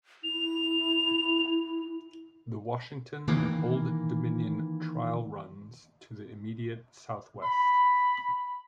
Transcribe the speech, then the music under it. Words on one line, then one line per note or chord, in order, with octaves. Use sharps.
The Washington and Old Dominion Trail runs to the immediate southwest.
E4 F7
D#3 E3 A#3
B5